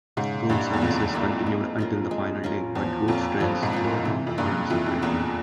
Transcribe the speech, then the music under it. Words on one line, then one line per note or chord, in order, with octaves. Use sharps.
Goods services continued until the final day but goods trains were not run separately.
G#2 C#3
G2 G3 A#3 E4
E2
F2 C#3
G3 A#3 E4
G#3
C#4 F4 A#4
G#3
C#4 F4 A#4
E2 F3
F2 A#3 C#4 F4
G2 F3
G#2
A#3 C#4 F4
A#2
C3 E3
F2
G2 A#3 F4 G#4
F2 E3
F2
E2 A#3 F4 G#4